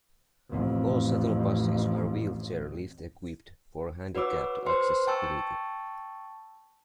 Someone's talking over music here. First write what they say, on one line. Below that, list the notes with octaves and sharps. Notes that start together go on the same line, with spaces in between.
All shuttle buses are wheelchair lift-equipped for handicapped accessibility.
A1 F2
F#4 B4 C#5 D6 E6
B4 C5 C6
G5 A5 C#6 E6